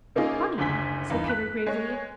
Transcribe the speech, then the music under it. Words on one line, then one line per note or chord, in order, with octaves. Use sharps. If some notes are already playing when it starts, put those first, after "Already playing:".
"Funny!" said Peter gravely.
C3 A#3 C#4 D#4 F4 G#4
F#1 D2 D3 G#5 B6
E2 G2 D#4
F#6 B6
G#3 C#5